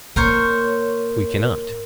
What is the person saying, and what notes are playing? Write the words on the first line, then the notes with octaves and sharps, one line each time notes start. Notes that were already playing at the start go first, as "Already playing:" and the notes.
We cannot.
A#2 A#4 C5 C#5